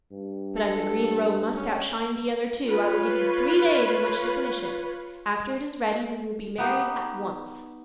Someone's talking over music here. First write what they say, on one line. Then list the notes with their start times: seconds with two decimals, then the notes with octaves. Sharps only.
But as the green robe must outshine the other two I will give you three days in which to finish it. After it is ready we will be married at once.'
0.12 G2
0.56 A4
1.55 C#4
2.66 F4 B4 C#5
6.58 B3 D#4 G4